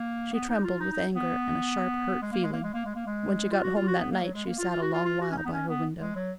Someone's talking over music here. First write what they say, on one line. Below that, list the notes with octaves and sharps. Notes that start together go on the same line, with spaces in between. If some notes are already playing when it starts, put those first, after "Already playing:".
She trembled with anger and a sharp, hurt feeling. When she got home that night she sat a long while by her window.
Already playing: A#3
B3
D#4
F4
D#4
D#4
B3
G#3
A#3
G#3
A#3
G#3
A#3
G#3
A#3
G#3
F4
F#4
F4
F#4
B3
A#3
F#3
G#3
A#3
F4
F4
F#4
F4
F4
F#4
C#4
D#4
B3
C#4
B3
G#3
F#3